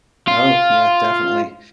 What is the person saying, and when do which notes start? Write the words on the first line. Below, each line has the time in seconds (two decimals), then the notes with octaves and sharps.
Oh, yeah, definitely
0.28 F4